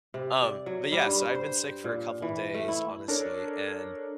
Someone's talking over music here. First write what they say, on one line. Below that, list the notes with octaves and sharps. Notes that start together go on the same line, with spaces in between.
Um, but yeah, so I've been sick for a couple days, honestly, and
C3
D5
F#3
G3
G2
C5
A#2
E3
A3
E4
D4 A4 A#4 C#5